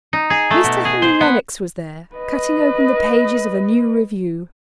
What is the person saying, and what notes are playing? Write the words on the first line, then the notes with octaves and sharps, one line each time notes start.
Mr. Henry Lennox was there, cutting open the pages of a new Review.
D#4
G#4
A3
B2
G#4
C5
B3
B4 D#5